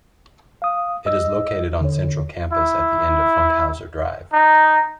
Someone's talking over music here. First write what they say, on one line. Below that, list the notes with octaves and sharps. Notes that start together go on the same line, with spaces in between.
It is located on central campus at the end of Funkhouser Drive.
F5 D#6
D#5 E6
D3 C#5
E4
D#4